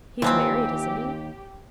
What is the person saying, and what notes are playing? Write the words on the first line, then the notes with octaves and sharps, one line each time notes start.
'He's married, isn't he?
D#2 E3 F3 C4 G4